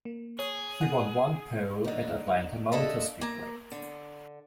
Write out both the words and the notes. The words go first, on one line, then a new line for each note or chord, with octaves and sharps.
He won one pole at Atlanta Motor Speedway.
A#3
G#4 C#5
F#5
D3 D#4
A#3 D4 A4 D#5 E5
A#3 A#5
D3